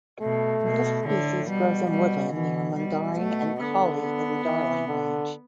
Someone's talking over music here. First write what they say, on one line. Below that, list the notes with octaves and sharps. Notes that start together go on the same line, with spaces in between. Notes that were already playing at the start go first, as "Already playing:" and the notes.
This species grows in woodland near Mundaring and Collie in the Darling Range.
B2 A3
B2
A2 D3
B2 G3
G3
B2 E3
B2 G3
A3
D3 B3
B3
E3
D3